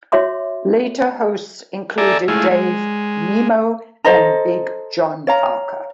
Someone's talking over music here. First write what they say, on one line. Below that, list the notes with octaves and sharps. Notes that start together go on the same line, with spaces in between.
Later hosts included Dave Nemo and Big John Parker.
F#4 C#5 E5 C6 D6
A4 D5 E5 G#5 A#5
G#3 A3 E4 F4 G#4
G#3
A4 C5 D#5 A#5
C#5 F5 A#5